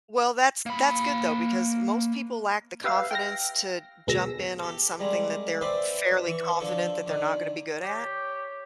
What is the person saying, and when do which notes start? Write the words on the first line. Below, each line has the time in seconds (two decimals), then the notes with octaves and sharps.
Well, that's that's good though, because most people lack the confidence to jump in on something that they're fairly confident that they're not gonna be good at.
0.66 A#3 B5
2.84 G4 B4 E5 F5
3.11 G5 F6 A#6
4.07 D2 B2 G#4 E6 A#6
4.63 G4 A4
4.99 C2 G3 G#3 A#5
5.61 C4 B4 C5 D5 E5
6.26 E3 C#6
6.60 D3 F3 A4 C#6
7.06 D3 D#3
7.83 G4 C#5